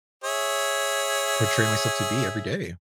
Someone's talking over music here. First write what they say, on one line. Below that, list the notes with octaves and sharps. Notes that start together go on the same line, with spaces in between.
portray myself to be every day.
G#4 C#5 E5